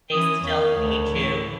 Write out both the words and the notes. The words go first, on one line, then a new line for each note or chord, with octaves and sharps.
They still need you.
E3 C#4 D#6
E2 A#4 C#5 F5
D2
A2 E3